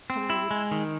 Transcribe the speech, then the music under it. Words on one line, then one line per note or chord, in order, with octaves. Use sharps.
and I would
C4
E4
G#3
D#3